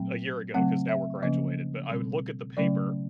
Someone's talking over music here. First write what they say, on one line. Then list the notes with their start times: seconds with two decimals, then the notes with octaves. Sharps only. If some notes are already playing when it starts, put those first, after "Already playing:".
a year ago 'cause now we're graduated, but I would look at the paper,
Already playing: A#2 F#3 A3 C4 G5
0.54 C#3 F#3 A3 C4 F#5
0.89 E5
1.23 C#3 F3 A#3 C#4 D#5
1.89 B2 G3 C4
2.57 C#3 F#3 A3 C#4 D5